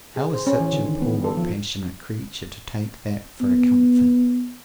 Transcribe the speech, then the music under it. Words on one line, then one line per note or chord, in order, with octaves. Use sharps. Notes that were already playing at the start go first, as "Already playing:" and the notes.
How was such a poor passionate creature to take that for a comfort?
G#4
C5
C#4
E3
D3
D#3
B3
A4
F3
B3